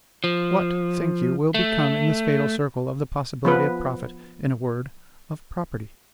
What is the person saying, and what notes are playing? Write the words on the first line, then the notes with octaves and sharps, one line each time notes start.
What, think you, will become, in this fatal circle, of the possibility of profit,--in a word, of property?
F3
A3
F3 B3 B4